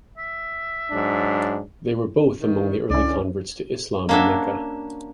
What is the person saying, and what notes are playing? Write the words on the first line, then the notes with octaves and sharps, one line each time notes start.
They were both among the early converts to Islam in Mecca.
E5
G#2 F#3 D4
D#3
C#2 D3 C#4 E4 D5
A#3 C#4 D4 F#4 E5